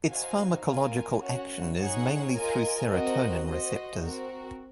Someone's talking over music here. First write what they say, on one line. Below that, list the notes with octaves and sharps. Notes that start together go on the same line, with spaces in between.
Its pharmacological action is mainly through serotonin receptors.
D#4 F#4 C5 F5 G#5
F4 A#4 F5 G#5
C#4 F#4 C#5 F#5
D#4 G#4 C#5 F#5
F4 A#4 D#5 G#5
C4 F#4 A#4 D#5
F#4 C5 D#5
C4 F#4 A#4